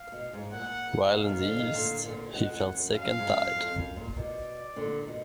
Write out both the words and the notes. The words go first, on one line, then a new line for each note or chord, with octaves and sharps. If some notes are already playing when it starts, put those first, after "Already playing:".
While in the east, he fell sick and died.
Already playing: F5
B2
G#2
A#2 F#5
B2 F5
B2 D#3
D3 F3
B2 D#3
A#2 D3
A#2 D3
B2 F#5
F2
F#2
F#2
F#2 F5
G#2
F#2
F2
F#2
A#2
B2 D5
A#2 D3
B2